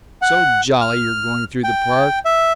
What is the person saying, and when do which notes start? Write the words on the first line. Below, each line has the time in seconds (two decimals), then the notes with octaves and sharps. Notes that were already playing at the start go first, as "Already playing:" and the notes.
"So jolly you're going through the Park."
0.22 F#5
0.81 F6
1.64 G5
2.25 E5